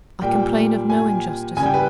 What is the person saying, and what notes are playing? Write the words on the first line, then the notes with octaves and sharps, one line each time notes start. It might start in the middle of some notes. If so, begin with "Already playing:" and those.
I complain of no injustice.
A#2 G3 G5
G#5
C#3 G3 G#5
G5
B4